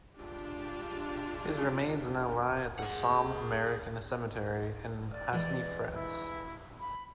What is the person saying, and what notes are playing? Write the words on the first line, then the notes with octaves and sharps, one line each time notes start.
His remains now lie at the Somme American Cemetery in Aisne, France.
G#3 D4 F4 G4
G#4 F#5
D5
E3 G#3 D5
E4
B5